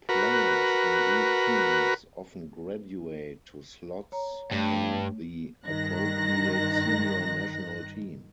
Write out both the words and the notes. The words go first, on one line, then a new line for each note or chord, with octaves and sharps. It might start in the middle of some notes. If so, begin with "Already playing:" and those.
Players on these teams often "graduate" to slots on the appropriate senior national team.
F#4 A#4 B4
C#5 A#5
G2 A3
G2 D#3 F#6 A#6